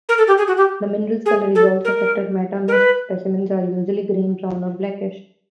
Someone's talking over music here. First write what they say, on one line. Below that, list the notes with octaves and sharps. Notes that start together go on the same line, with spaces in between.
The mineral's colour is also affected: metamict specimens are usually green, brown or blackish.
A#4
A4
G4
G#4
F#4
G4
G#4
A4
A#4
A#4
B4